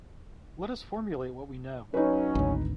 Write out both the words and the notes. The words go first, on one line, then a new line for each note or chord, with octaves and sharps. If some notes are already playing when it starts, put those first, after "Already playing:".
Let us formulate what we know.
F#3 C#4 D#4 B4
G#1 D2